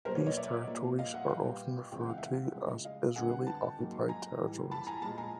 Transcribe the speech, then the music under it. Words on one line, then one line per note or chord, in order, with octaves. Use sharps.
These territories are often referred to as Israeli-occupied territories.
B2 F#3 A#3 A#4 C5
B4 C#5
C#5 D#5
D5 E5
A#2 F3 A#3
D#5 F5
E5 F#5
A#2 G3 B3 F5 G5
E2 C#3 F3 G#3 C4 G5
F#5
F5
E5 F#5
C#3 F3 G#3
D#5 F5
F2 D3 G3 B3 F#5 G#5
G5 A5
G#2 D#3 F#3 A#3
G#5 A#5
A2 E3 G3
A5 B5
G#5 A#5
A#2 F3 G#3 A5 B5
G#5 A#5